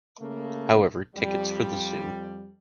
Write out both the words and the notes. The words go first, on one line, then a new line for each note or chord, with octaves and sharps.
However, tickets for the zoo?
C#3 A3 A#3
F2 G3